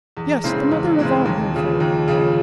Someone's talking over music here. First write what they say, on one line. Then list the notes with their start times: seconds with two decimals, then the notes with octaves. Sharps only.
Yes, the mother of Ogden Ford.
0.17 E2
0.44 C#3 E3 G#3 C4
0.71 E2
0.99 C#3 E3 G#3 C4
1.25 D#2
1.53 C#3 F3
1.80 D#2
2.08 C#3 F3